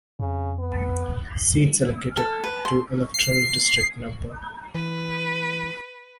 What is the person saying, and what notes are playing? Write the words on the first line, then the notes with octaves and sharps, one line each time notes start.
Seats allocated to electoral district no.
F2 C#3
B3
A4
B4
C6
C7
E3 B4